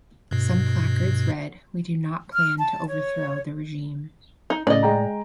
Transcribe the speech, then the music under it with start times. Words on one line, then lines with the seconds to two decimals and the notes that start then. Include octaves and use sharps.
Some placards read "we do not plan to overthrow the regime".
0.31 G2 B2
2.34 F6
2.58 A5
2.88 C#5
4.50 D#4
4.67 A2 C#3 D5 D#5
4.83 G#3 G5 A#5